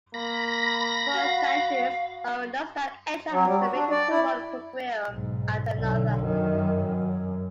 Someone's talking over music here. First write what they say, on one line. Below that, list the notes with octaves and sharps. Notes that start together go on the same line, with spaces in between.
For centuries, Hoffer notes that Asia had submitted to one conqueror after another.
A#3 B5 A#6
F#4 F5
F#3
G3
F#4
D4
D5
E4
B1 G#2
B1 D3
F#2 D#3
F#2